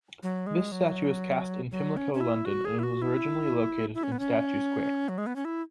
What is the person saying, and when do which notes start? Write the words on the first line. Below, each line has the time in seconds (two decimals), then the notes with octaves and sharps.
This statue was cast in Pimlico, London and was originally located in Statue Square.
0.23 F#3
0.47 G#3
0.72 F#3
1.71 F#3
1.97 C#4
2.14 C#4
2.21 E4
2.45 F#4
2.65 G#4
2.79 E4
2.83 F#4
3.02 E4
3.94 E4
4.03 C#4
4.12 B3
4.19 C#4
5.09 F#3
5.18 G#3
5.26 B3
5.36 C#4
5.45 E4